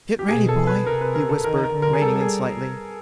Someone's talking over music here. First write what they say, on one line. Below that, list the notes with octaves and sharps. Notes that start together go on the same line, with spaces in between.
"Get ready, boy," he whispered, reining in slightly.
G4
B2 G#4
A4
B4
C3 A#4
B4
A#4
A4
D#3 A#4
A#4
D3
A#4
G#4
G3 A4
A4
G#4